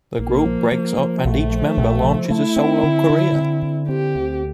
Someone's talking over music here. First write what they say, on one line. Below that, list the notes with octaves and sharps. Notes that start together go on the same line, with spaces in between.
The group breaks up and each member launches a solo career.
A#1 A#3
F3
F3
F3
A#1 A3
F3
A#1
F3
A3 E4
C4
D3
D3
C4
D3
C4 G4
D2